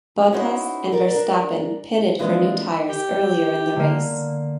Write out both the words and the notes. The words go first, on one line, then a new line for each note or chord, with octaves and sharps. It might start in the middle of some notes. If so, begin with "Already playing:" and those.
Bottas and Verstappen pitted for new tyres earlier in the race.
C#4 D#4 E4 F#4 C5
A#4 D5
D4 A#4
E3 F3 G#3 A#3 C4 D4
G4
D3 A#3